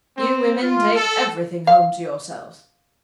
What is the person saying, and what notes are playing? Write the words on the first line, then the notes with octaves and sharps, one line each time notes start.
You women take everything home to yourselves.
C4
F4
A4
F5